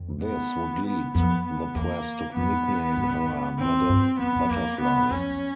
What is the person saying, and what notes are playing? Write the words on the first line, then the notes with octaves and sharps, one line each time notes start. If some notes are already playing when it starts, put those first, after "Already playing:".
This would lead the press to nickname her Madame Butterfly.
Already playing: F2
B3
B3
F2 B3
B3
E2 A#3
F2 B3
G2
G#2 C4
G#2
G2
F2 B3
F2
F2 A#3
B3
F2
F2 C#4
F2